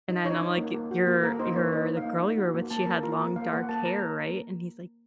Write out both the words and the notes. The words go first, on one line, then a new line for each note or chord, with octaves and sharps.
and then I'm like, "You're you're the girl you were with, she had long dark hair, right?" and he's like,
D#4
D#4 C#5
D#4
A#3
A#3
F#4
A#3
A#3 A#4
D#4 C5
A#3 C#5
D#4 D#5
D#4
F5
A#3
D#4
F#4
A#3
A#3 A5
A#3 A#4
F4 A#4
A#3 A#4
A#3 F5
A#3 F#5
A#3 A5
A#3 A#5